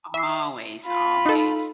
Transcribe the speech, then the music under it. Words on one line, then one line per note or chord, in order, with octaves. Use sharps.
Always, always.
E5 C7
F4 B5
D#4 A4